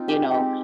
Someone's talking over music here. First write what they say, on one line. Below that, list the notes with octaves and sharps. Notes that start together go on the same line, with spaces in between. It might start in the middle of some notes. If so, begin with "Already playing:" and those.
You know,
Already playing: C4 D#4 F4
G#3 G4
C4 D#4